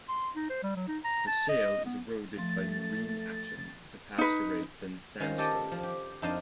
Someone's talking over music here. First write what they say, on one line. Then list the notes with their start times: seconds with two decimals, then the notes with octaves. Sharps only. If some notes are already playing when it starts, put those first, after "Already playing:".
The shale is eroded by marine action at a faster rate than the sandstone.
0.09 C6
0.35 D#4
0.50 C5
0.63 G3
0.76 F#3
0.88 D#4
1.04 A#5
1.27 A5
1.49 D#5
1.85 B3
2.37 F3 A3 C6 A6
4.18 D#4 B4
5.20 D#3 C#4 F4 C5 F5 A#5
5.38 G4 A4 D5 D#5 G5 A5
5.71 F3
5.83 G4
6.22 F2 D4 D#4 C5 F5 A5